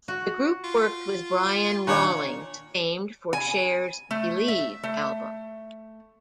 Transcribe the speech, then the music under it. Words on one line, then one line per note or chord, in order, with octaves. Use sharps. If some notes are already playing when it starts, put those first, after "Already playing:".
The group worked with Brian Rawlings, famed for Cher's "Believe" album.
F#4
F4
A#2 D#3 D4 C#5 F#5
G#5
A3
E5
A3